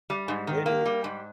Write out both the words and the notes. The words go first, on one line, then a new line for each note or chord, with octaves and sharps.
It is.
G3
G#2
D#3
A#3
G3
G#2